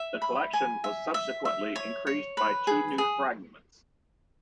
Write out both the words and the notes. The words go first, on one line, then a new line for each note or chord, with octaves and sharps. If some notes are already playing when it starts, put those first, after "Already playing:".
The collection was subsequently increased by two new fragments.
Already playing: E5
B5
G#5
E5
E5
E5
C#5
C#5
B4
G#4
G#4